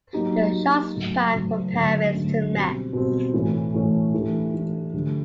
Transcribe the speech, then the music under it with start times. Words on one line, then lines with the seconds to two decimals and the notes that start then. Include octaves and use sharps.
The shots span from Paris to Metz.
0.13 F#3 A#3 D#4 G4
0.53 F#3 A#3 D#4 G4
0.93 C#3 F#3 A3
1.33 C#3 F#3 A3
1.73 D3 F#3 A3 C#4
2.13 D3 F#3 A3 C#4
2.53 B2 G3 C4
2.93 B2 G3 C4
3.33 A2 E3 A3 C#4
3.74 A2 E3 A3 C#4
4.14 E3 A3 D4 G4
4.54 E3 A3 D4 G4
4.94 D3 F3 A3 D4 G4